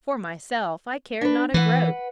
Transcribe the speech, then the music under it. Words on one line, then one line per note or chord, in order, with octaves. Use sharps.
For myself, I cared not a groat.
D4 B4
E3 B4 F#5